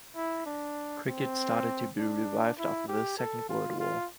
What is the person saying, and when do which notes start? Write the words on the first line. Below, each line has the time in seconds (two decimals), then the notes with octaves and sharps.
Cricket started to be revived after the Second World War.
0.16 E4
0.46 D4
1.07 C4
1.98 D4
2.59 E4
2.88 G4
3.18 A4
3.49 F4
3.80 F4